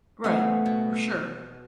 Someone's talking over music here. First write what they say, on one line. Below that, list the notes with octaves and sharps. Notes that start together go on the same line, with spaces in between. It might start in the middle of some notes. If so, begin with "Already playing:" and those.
Right, r sure.
C#3 A3 B3 C4 G#4 G#5
B2